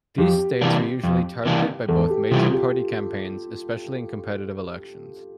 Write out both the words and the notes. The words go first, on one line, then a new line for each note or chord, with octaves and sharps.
These states are usually targeted by both major-party campaigns, especially in competitive elections.
F2 G4
C3 E3 A#3 D4
F2
C3 E3 A#3 D4
E2 A4
G4
C3 E3 G3 C4 F4
G4